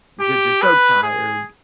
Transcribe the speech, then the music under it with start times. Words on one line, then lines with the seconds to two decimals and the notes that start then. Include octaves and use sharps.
because you're so tired.
0.20 G4
0.62 B4
1.03 G#4